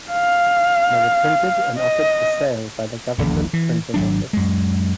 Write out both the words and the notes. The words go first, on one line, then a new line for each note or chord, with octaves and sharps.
They were printed and offered for sale by the Government Printing Office.
F5
D#5
D#1 A#1 E2
E3
G#1 F#3 D4
F#2 G#3